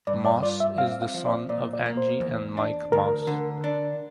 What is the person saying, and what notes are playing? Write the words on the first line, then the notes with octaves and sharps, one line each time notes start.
Moss is the son of Angie and Mike Moss.
G2 D5
D5
F4 D5
E5
C4 F5
F5
F3
D5
A#2 D5
D5
A#3
C5
E2
D4
D2 A#4
D3
D4